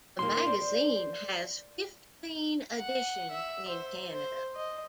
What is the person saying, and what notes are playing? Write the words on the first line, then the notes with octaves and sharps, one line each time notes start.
The magazine has fifteen editions in Canada.
D#2 D#3 A#3 C6
C5 D5
F#5
E5
C5
C5
D#5